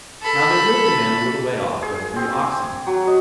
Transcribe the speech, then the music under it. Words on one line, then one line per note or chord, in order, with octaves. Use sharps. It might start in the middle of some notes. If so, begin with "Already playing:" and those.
Now there lived a man a little way off who had three oxen.
A4 B5
G#4
C4
F#3
D#5